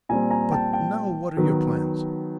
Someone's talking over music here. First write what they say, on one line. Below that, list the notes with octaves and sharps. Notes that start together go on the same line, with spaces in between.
But now what are your plans?
A#2 G3 C4 G#5 A#5
G#5 A#5
G5 A5
G5 A5
D#3 F#3 B3